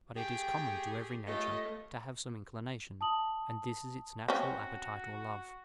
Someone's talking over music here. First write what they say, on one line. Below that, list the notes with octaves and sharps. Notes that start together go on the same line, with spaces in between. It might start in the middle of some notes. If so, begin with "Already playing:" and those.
But it is common to every nature to have some inclination; and this is its natural appetite or love.
A3 G4 G#4 G5
A3 C#4 F4 G4 D#5
A5 D#6 F#7
C4 C#4 F#4